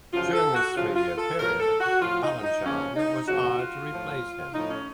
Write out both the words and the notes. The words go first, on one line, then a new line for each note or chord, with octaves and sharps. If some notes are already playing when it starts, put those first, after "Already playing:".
During this three-year period, Balanchine was hired to replace him.
F#2 C#3 F3 F4
A4
F#4
F#2 C#3 F3 F4
F4
A4
A2 F3 A#4
A4
F#4
A2 F3 F4
D#4
D#4
D#2 C#3 F3 C#4
D#4
D#2 C#3 F3 F#4
F4
A2 F3
A2 F3 D#4
C#4